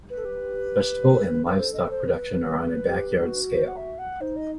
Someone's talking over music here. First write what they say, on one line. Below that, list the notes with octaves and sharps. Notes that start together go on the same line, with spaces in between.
Vegetable and livestock production are on a backyard scale.
B4
A4
G4
B4
A4 C5
D#5
D#5
C5
B4
G4
F#4
C5
F#5
E5
F#5
D#4 C5
D#5